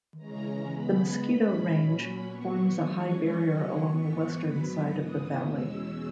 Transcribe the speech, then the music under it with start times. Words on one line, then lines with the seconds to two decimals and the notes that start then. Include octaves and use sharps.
The Mosquito Range forms a high barrier along the western side of the valley.
0.17 C#3 E3 G#3 C#4 A#5
0.70 C#3 G#3 B3 B5
1.23 A#2 G#3 C#4 B5
1.75 A#2 F#3 C#4 B5
2.27 A#2 F#3 B3 C#6
2.80 F#2 E3 G#3 C#4 C#6
3.32 C#3 F#3 C#4 C#6
3.84 G#2 E3 B3 C#6
4.37 G#2 F#3 B3 B5
4.89 G#2 E3 B3 D#6
5.42 E2 B2 G#3 C#4 E6